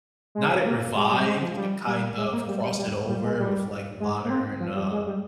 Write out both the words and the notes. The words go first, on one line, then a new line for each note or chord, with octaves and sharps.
not it revived, but kind of cross it over with, like, modern, uh,
G#3
A#3
G#3
G3
G#3
F3
G3
G3
G#3
A#3
G3
G3
G3
G3
G#3
G3
G#3
A#3
C4
F3
G3
G#3
G3